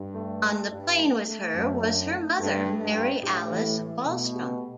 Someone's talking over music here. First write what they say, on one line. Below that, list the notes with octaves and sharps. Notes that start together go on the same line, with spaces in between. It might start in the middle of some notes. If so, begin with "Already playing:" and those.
On the plane with her was her mother, Mary Alice Wahlstrom.
Already playing: G2
A3
A4
G2 D4
A3
A3
F#2 A4
D4
A3
G2 A3
A4
G2
D4
A2 G4
E3
E4
B2 A3
G4